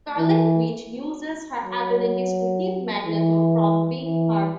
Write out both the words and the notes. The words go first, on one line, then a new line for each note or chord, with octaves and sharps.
Scarlet Witch uses her abilities to keep Magneto from being harmed.
E3
F#3
E3
E3